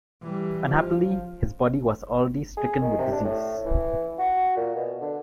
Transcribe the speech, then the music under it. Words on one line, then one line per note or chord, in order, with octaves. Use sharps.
Unhappily, his body was already stricken with disease.
E3 G3
F3
G#4
D#3
C3
D4
A2
E3
F#4
A#2
B2
D3